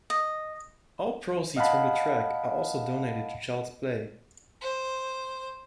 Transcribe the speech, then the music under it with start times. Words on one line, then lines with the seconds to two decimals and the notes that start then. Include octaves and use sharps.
All proceeds from the track are also donated to Child's Play.
0.10 D#5
1.56 D#5 F5 F#5 A5 B5
4.61 C5